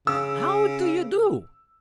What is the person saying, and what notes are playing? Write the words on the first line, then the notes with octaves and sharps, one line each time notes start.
"How do you do!"
C#3 E6